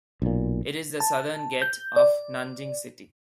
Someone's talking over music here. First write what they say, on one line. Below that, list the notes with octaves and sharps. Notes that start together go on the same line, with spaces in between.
It is the southern gate of Nanjing city.
B1 A#2
A5
G6
D5